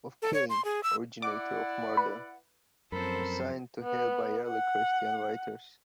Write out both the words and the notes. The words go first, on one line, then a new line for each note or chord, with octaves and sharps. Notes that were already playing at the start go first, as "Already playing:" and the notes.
Of "Cain", originator of murder, consigned to Hell by early Christian writers.
A4
C#5
C6
G#4
E6
E4 D5 F#5 D6
B4
F#2 F3 C4 A4 A#4 C5 B5
B3
F#5